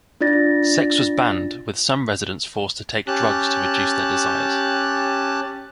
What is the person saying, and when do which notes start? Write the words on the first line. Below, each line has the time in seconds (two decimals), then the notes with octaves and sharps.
Sex was banned, with some residents forced to take drugs to reduce their desires.
0.21 D4 F4 D5 A6 A#6
3.07 C#4 G4 A5 F#6